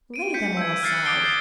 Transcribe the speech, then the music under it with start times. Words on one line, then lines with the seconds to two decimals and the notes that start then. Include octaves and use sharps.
Lay them all aside.
0.14 D7 D#7
0.34 G6 B6 C#7
0.57 E6 G6 G#6
0.83 F6 F#6 A6 C7 C#7
1.05 D6 D#6 G6 C7 D7 G7
1.23 G6 A6 C7 D7